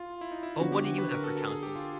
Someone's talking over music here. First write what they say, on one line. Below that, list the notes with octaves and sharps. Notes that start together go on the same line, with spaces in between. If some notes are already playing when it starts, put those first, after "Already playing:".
but what do you have for consoles?
Already playing: F4
E4
D#4
E4
D3 F#3 B3 F#4
G4
F#4
B4
A#4
A4
A4
G#4
G4
F4